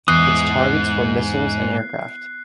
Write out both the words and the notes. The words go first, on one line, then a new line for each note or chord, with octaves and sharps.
Its targets were missiles and aircraft.
E2 G#2 D#6 F#6 C7